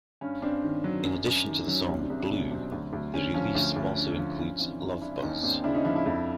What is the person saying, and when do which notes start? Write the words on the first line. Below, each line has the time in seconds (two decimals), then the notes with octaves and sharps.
In addition to the song "Blew", the release also includes "Love Buzz".
0.21 G2 C#4
0.42 G2 C4 D4
0.63 D#3
0.84 F#3
1.05 F#2
1.26 F#2
1.47 D#3
1.67 F#3 C#4
1.88 C2 C#4
1.98 C4 D4
2.10 C2
2.20 C4 D4
2.30 B2 C#4
2.51 F#3 C4 D4
2.72 D2
2.93 D2
3.14 D3 C#4
3.34 F3 C#4
3.55 D2
3.76 D2
3.97 D3
4.18 F3
4.39 G2 C#4
4.60 E3 C4 D4
4.80 E3
5.01 G2 D4 E4
5.22 D#2 C#4 D#4
5.43 D#2 C4 D4
5.64 C#3 D4 E4
5.74 C#4 D#4
5.85 F3 D4 E4
5.95 D4 E4
6.06 F2